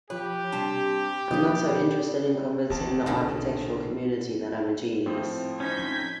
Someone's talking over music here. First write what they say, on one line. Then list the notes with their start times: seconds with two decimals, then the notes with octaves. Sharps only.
I'm not so interested in convincing the architectural community that I'm a genius.
0.10 F3 F4 G4 B4 C#5
0.52 C3 G3 D4 A5
1.31 B2 F3 G3 A#3 D#5
1.87 D5
2.70 A1 D3 E3 A5
3.06 B1 G#2 D3 C#4
5.06 A2 F3 C4
5.60 C#4 D#4 G6 G#6 B6